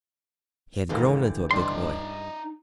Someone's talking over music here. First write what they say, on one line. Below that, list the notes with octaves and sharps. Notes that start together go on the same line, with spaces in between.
He had grown into a big boy.
D#2 G#2 D3 E3 A#3 G4
G2 D#4 D5 C6